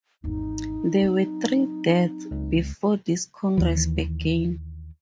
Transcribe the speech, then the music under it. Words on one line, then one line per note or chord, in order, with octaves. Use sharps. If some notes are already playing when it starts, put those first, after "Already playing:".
There were three deaths before this Congress began.
G#1 E2 D#4
F#3 C4
C#2
D#2 E3